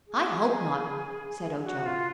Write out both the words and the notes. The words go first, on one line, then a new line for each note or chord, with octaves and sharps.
"I hope not," said Ojo.
G#4
F#4
F4